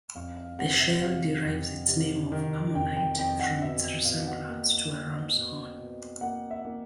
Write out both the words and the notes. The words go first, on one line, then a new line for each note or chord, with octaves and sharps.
The shell derives its name of ammonite from its resemblance to a ram's horn.
F2 F5
F5
C3 F#5
E5
C3 F5
F2
C3
D#3
F2 G5
G5
F2 G5
F#5
B2 E5
E5
B2 F5
F#5
A#3
A#3
B2
B2
A#3 F#5
E5
A#3